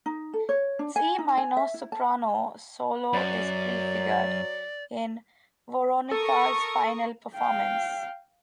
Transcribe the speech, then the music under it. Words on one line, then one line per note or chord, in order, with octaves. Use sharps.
Its E minor soprano solo is prefigured in Weronika's final performance.
D#4
A4
C#5
D4
G#5
D#4
G#5
E5
E4
A5
F#2 F#3 D5
A4 A#4 C#6 D#6
F5 G5